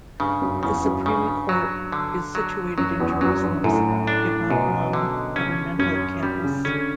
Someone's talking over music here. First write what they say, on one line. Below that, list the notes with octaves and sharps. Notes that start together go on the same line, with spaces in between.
The Supreme Court is situated in Jerusalem's Givat Ram governmental campus.
G2 C#3
F#2
E2 C#3
F#2
G2 C#3
F#3
D3
F#3
F#2 F#3
E2
F#2 F#3
G2
F#2 A2
D4
F#2 B2
D3
C#3 C#4
F#2 C#4
F#2 G3
C#3
D3 C#4